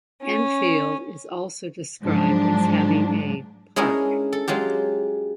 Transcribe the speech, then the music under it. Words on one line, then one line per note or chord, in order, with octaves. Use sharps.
Enfield is also described as having a "parc".
C#4
G#2 F3 F#3 D4
G#3 C#4 D4 E4 G#4 A#4
A4
F#3 G#3 F4 G4